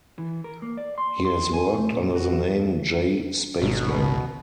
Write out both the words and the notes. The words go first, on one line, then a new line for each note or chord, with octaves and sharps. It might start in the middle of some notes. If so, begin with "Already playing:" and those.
He has worked under the name J. Spaceman.
E3
A#4
A#3
D5
C6
C6
G#5
A3
A#2
F#4
G#1 B2